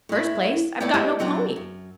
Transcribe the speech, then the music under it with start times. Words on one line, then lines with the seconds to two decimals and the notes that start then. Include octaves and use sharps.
"First place, I've got no pony."
0.09 A2 E4
0.80 A3 B3 E4 C#5 D5 G5
0.94 G#3 D4 G4 C#5 D#5 E5
1.19 A#2 F#3 C4 D4 F#5
1.56 F#2